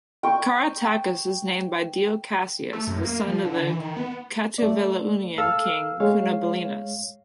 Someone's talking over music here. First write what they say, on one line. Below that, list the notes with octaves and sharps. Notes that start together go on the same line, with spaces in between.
Caratacus is named by Dio Cassius as a son of the Catuvellaunian king Cunobelinus.
G5 C#6
A3
F#2
A#3
F3
D3
E3
D#3
B3
A3 D5
A4 F5 E6 F6
G#3 C#5 F5